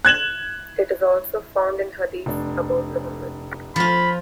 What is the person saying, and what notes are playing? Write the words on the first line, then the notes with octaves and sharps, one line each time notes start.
It is also found in hadith about Muhammad.
F#6 G#6 E7 F#7
F1 D4
F3 F4 B5